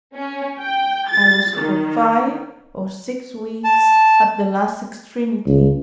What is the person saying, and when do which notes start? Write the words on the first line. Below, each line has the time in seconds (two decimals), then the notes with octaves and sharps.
I was for five or six weeks at the last extremity.
0.14 C#4
0.59 G5
1.09 A6
1.58 D#3
3.64 A5
5.45 C#2